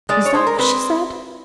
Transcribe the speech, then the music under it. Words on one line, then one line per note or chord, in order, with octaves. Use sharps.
Was that what she said?
G#3 D5
C#5
G#3 C5
A#4
C4 B4